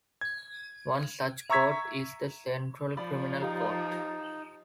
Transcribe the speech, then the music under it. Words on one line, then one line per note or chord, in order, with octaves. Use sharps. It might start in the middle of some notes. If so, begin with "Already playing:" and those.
One such court is the Central Criminal Court.
G#6
E5 A#5 C#6 E6 G#6 B6
F3 D5 B5
D#4 G4 F5 A#5